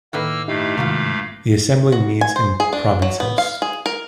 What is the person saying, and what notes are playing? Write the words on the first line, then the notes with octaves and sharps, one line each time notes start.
The assembly meets in Province House.
A2 D#3 A#3 B4 E6 F6
G2 A3 D#4 E4 G4 F5
G#2 C3 D#3 F4 F#4 A#4
F#4
G#5
C5
G#4
D4
F#3
B3
F5
G#4
A#4